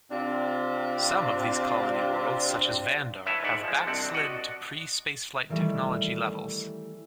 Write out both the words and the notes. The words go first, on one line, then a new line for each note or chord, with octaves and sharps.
Some of these colony worlds, such as Vandar, have backslid to pre-spaceflight technology levels.
C3 C4 D4 F4
E4 B4 C#5 E5 A5
G#2 D5 E5 F#5
F3 G#3
C2 C4 D4 F#5
F#4 D5 D#5 F#5
D#3 E3 G3 A3